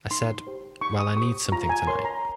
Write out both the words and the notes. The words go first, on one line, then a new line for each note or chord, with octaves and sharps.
I said, 'Well, I need something tonight.
D#4 C6
G4 C5
D#4 C#6
D#6
G4 C5 C#6
F4 A#5
G#5
A#4 C#5 C6
A#5